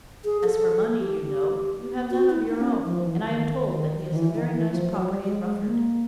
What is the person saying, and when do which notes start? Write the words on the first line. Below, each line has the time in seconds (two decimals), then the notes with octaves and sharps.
As for money, you know, you have none of your own, and I am told that he has a very nice property in Rufford.
0.25 G#4
0.44 A4
0.99 G4
2.11 F#4
2.30 E4
2.48 D#4
2.61 C#4
2.85 F3
3.04 E3
3.24 D#3
3.60 D#3
3.98 D#3
4.11 D#3
4.16 E3
4.35 D#3
4.53 E3
4.72 F3
4.91 F#3
5.09 G3
5.24 G3
5.28 G#3
5.46 G#3
5.66 A#3